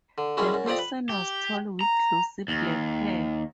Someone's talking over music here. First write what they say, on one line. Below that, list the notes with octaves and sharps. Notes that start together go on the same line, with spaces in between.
That person was tall with glossy black hair.
D3
F#2 G3 G#3 C#4 E4
F#2
F2 C4 G4 D5 D#6
B4
G4
A#5
D#2